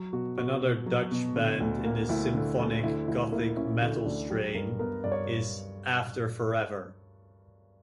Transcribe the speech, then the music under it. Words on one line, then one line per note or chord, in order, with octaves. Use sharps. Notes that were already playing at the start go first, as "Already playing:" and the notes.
Another Dutch band in the symphonic gothic metal strain is After Forever.
Already playing: F#3
B2 F#4
B3 F#4
B2
F#3
B2
D3
D2
A#3
D2 E4
D3
D2
D3 E4
D2 E4
A#3 E4
C#4 E4
D3 F#4
D2 D4
F#3 G4
G2 A#4
B3 A#4
G2 D5
C#5